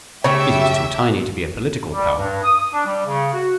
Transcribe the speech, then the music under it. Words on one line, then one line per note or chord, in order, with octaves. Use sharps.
It is too tiny to be a political power.
C#3 A3 G4 C#5 E5
G3
G2
D#6
D#6
D4
G3
C#3
F#4